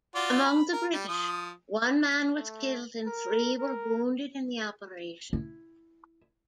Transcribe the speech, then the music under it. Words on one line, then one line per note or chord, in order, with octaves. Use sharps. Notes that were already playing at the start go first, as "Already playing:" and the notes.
Among the British, one man was killed and three were wounded in the operation.
F4 F#4 D5
B5
A#4
G3
F3 D#6
A3
A#4
A#4
E4